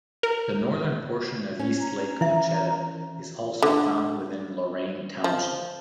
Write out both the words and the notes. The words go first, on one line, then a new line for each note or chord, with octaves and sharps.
The northern portion of East Lake Ocheda is also found within Lorain Township.
A#4
C#4
A#4 A#5
E3 E4 E5
D3
F3